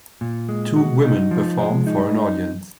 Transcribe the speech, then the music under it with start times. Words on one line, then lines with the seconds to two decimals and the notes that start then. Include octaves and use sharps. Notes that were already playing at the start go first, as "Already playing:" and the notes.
Two women perform for an audience.
0.21 A#2
0.49 G#3
0.76 F#4
1.04 D#4
1.31 F3
1.58 G#3
1.87 D#4